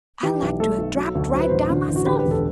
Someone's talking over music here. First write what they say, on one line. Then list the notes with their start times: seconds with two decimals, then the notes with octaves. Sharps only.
I like to 'a' drapped right down myself!
0.23 E3 G4
0.42 B1
0.60 A3 A4
0.78 B1
0.96 F#3
1.15 D2
1.33 F#3 C5
1.41 B4
1.49 A1 C5
1.70 D3
1.88 A1
1.96 F#4
2.06 D3 G4
2.19 B4
2.25 E1
2.31 A4